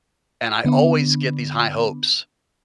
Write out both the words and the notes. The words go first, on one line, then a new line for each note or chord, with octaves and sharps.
And I always get these high hopes
D3 B3 D4